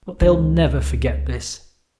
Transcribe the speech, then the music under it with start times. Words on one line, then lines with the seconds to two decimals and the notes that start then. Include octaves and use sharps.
But they'll never forget this.
0.21 C#2 D#3